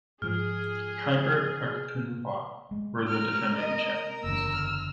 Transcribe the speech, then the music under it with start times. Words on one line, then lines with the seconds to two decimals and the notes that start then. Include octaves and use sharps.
Khyber Pakhtunkhwa were the defending champions.
0.22 G#2 F3 G#4 F6
2.71 G#3
3.08 A#4 F6
3.55 D#5
4.24 F#1 E2 D3 E6
4.54 F6